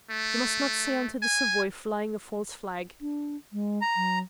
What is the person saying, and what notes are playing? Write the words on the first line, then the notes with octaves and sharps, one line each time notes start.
You must not sail into the Savoy flying a false flag.
A3
G#5
D4
G#3
A#5
F#3